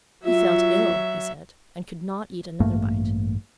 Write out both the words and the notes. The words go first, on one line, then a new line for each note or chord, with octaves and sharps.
He felt ill, he said, and could not eat another bite.
F#3 F4 E5
A1 G2 A3 A#3